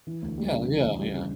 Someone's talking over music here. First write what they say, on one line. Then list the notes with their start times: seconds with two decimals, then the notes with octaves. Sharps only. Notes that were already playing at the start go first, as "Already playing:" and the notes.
Yeah, yeah, yeah.
0.07 E3
0.22 D2
0.38 G3
0.53 C#3
0.68 E3
0.83 D2
0.99 G3
1.15 C#3